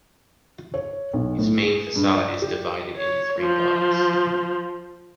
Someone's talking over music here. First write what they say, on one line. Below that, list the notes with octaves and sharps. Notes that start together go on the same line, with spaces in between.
This main façade is divided into three bodies.
C#5
B1
A2
G#4
G2
D5
G4
C#5
F3